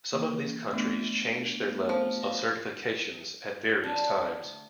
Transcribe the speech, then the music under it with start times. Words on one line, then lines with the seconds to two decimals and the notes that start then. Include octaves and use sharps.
Some of the countries changed their levels of certifications at various times.
0.13 E3 A#3
0.73 A3 B3 D4
1.89 F3
2.23 F5 C6
3.84 D4
4.43 D2